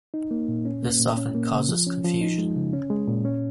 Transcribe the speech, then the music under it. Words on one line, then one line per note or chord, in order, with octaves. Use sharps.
This often causes confusion.
D#4
A#3
A#2
C#4
A#3
A#2
C#4
A#3
C#3
F3
C#4
F3
D#4
G#3
C#3
C#4
G#3
A#2
C#4